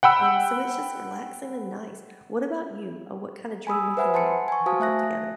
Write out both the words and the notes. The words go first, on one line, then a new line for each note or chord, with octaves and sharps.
um, so it's just relaxing and nice. What about you, uh, what kinda dream weekend would you put together?
F#5 G5 B5 E6
G#5 B5 D#6 E6
B4 C5 E5 F#5 G#5 B5
F#5 A5 C6 C#7
G#5 C#6
F#4 C5 F5 G#5 A5 D#6
A3 E5 F#6 A#6